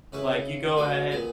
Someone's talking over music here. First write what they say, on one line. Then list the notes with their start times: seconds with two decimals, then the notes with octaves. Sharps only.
Like, you go ahead,
0.12 C#3 C#4 E4 B4
0.76 D2 B3 F#4 D#5
1.11 A#2 B3 G#5